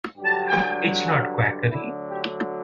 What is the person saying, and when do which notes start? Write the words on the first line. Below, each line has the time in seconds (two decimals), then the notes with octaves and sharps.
It's not quackery.
0.17 G2 D3 F#3 G4
1.70 D2 D3 F#3 E4
2.08 G4